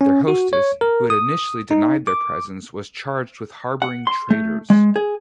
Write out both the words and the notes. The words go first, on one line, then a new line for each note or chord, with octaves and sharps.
Their hostess, who had initially denied their presence, was charged with harbouring traitors.
C#4
F#4
C#5
A#4
D#6
D#4
D6
F#5
C6
A3
G#3
G#4